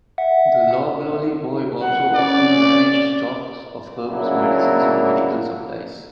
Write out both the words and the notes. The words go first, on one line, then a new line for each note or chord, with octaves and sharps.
The loblolly boy also often managed stocks of herbs, medicines and medical supplies.
E5 F#5
F#5
C#4 D5
C#3 F#3 A#3 D4 E4